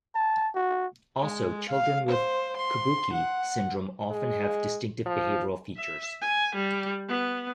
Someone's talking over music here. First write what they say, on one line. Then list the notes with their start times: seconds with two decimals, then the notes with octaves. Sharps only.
Also, children with Kabuki syndrome often have distinctive behavioral features.
0.15 A5
0.55 F#4
1.20 G#3
1.70 F5
2.09 C5
2.57 C6
3.13 F#5
4.11 G#3
5.06 F3
5.77 E5
6.21 G#5
6.55 G3
7.08 B3